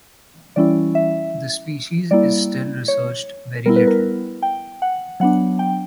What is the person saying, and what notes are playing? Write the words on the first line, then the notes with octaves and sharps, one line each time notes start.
The species is still researched very little.
E3 G3 C#4 E4 D5
E5
G3 A#3 E4 D5
C#5
G3 B3 E4 A#4
B4
A#4
G5
F#5
F#3 B3 D4 F#5
G5